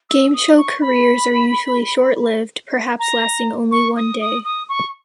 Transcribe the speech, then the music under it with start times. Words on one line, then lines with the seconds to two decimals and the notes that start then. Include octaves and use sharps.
Game show careers are usually short-lived, perhaps lasting only one day.
0.10 E6
0.34 D#6
0.58 C#6
0.81 B5
2.99 A#5
3.71 C#6
3.96 D#6
4.21 D#6
4.45 D#6
4.69 C#6